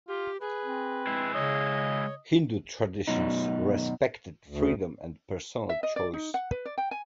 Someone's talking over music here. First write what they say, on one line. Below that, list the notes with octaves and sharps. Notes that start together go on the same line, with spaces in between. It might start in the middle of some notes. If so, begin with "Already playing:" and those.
Hindu traditions respected freedom and personal choice.
F4 G4
G#4 B4
C4
G#3 E4
C#3 C#5 D#5
F#2 B2 D#4
D2
E5
D#5
D5
D#4
F#5
B4
D5
G5
G#5